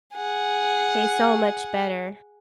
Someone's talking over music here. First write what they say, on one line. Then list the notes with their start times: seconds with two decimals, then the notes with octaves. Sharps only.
Tastes so much better.
0.14 G#4 F#5